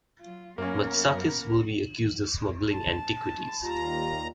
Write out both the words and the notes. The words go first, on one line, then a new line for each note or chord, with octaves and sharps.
Matsakis will be accused of smuggling antiquities.
F#3 F4
F#2 A#3 B3 C#4 A#4
A5
D#2 G3 F4 A#5